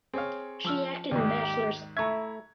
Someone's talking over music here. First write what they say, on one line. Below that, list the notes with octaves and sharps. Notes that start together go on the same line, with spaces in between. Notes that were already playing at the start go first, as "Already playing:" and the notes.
She acted in "Bachelors".
C4 G#4 C#5 F5
F3 E6 F6
D#2 G#2 G4 D5
A3 E4 E5 A#5 C#6 G#6